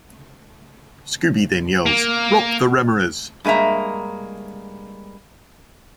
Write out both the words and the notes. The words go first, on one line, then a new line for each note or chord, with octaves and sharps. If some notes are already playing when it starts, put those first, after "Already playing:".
Scooby then yells, Rop the rameras!
A#3
G2 G#3 A#3 E5 A#5